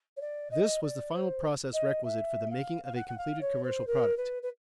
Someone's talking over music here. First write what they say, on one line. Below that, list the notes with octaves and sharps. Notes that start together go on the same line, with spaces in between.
This was the final process requisite for the making of a completed commercial product.
C#5
D5
D#5
D5
C5
D#5
E5
F5
F5
F#5
F#5
F5
C#5
C5
A#4
B4
B4